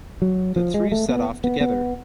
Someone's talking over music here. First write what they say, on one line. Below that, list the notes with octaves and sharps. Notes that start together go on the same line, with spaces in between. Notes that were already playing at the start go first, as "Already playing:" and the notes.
The three set off together.
F#3
F3
G#3
A3
B3
B3
B3